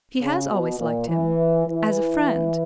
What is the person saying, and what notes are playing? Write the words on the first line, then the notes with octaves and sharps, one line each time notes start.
"She has always liked him--as a friend."
C#3
B2
A#2
E3
E3